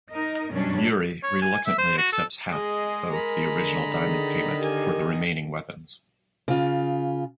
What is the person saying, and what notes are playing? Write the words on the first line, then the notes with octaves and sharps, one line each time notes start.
Yuri reluctantly accepts half of the original diamond payment for the remaining weapons.
D#4 A#4 D#5
F#2 B2 F#3 G3 C#4 D4
C#5
G#5
E5
C5
F#4
A4
G#3 G#4 D#5
A#4 A#5 B5
D3
D#3 G#4
G4 A#4 G#5
C#3 F4